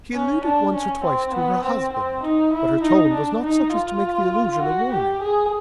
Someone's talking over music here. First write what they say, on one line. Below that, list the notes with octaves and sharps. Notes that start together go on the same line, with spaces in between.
She alluded once or twice to her husband but her tone was not such as to make the allusion a warning.
C#4
D4
C#4
C4
B3
C4
C4
D#4
E4
D#4
D4
D#4
F4
F#4
G4
G#4